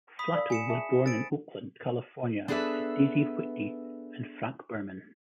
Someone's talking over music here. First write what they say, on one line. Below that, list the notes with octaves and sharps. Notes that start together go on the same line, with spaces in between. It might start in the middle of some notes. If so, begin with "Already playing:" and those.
Flato was born in Oakland, California to Daisy Whitney and Frank Burman.
B5 D#6 B6
A#4 D5 F5
G#5 C#7 E7
G#4 E5 A5
E4
A#4 C5 A6 D7
B3 D4 G#4 A4 B4 E5